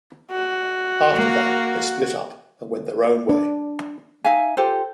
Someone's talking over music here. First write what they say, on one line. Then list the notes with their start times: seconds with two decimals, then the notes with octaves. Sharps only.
After that they split up and went their own way.
0.31 F#4
1.14 A#3
3.29 D4
4.24 D#4 E5 F5 G#5
4.57 F4 G4 A4 C5